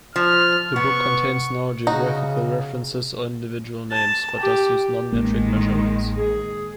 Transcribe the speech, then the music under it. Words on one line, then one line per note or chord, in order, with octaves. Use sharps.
The book contains no geographical references or individual names, but does use non-metric measurements.
F3 F6
B3 C#6
C#3 D#4 F#4
A5
G4
A1 D#3 G#3 A#3
G#4